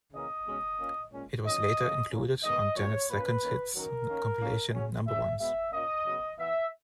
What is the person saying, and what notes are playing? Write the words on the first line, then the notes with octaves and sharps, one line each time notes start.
It was later included on Janet's second hits compilation "Number Ones".
C#3 E3 A#3 C#4 D#5
B2 G#3 C#4
A#2 A#3 C#4
A#2 G#3 C#4
D#3 F#3 C#4 D#5
C#3 E3 A#3 C#4
A#2 A#3 C#4
D#3 G#3 B3 D#5
A#2 F#3 C#4 C#5
A#2 A#3 C#4 B4
D#3 A#3 C#4
D#3 F#3 C#4 A#4
D#3 A#3 C#4
A#2 A#3 C#4
C#3 F#3 C#4
E3 G#3 C#4 E5
B2 G#3 B3 E5
A#2 A#3 C#4 D#5
C#3 F#3 B3
E3 B3 E5